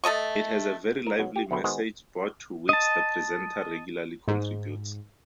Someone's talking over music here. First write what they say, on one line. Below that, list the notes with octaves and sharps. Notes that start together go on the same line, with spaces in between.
It has a very lively message board to which the presenter regularly contributes.
A3 A4 D#5 C#6
A#4
B2 F#3
G4
D2 B2 A3 B4 G5
D#3 G#3 B3 F#4 G#4 C5
D#5 A5
G#2